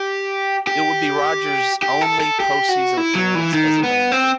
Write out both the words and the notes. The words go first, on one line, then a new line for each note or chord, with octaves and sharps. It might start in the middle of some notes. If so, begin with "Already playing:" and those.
It would be Rodgers' only postseason appearance as a manager.
Already playing: G4
G4
G4
A4
A4
G4
F#4
E4
F#3
E3
D#3
B3
C4